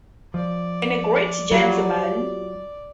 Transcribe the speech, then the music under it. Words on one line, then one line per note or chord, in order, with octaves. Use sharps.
And a great gentleman.
F3 D5
F#3 F4 G4